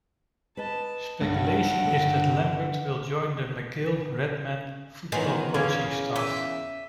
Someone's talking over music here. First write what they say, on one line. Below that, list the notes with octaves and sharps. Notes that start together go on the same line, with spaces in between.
Speculation is that Lambert will join the McGill Redmen Football coaching staff.
B4 D#5 A5
B1 G2 F#5 G5
D3
D#3 E3 F#3 B3 F4 G#4
E2 C#3 A#3 C#4
E5 G5 G#5 D6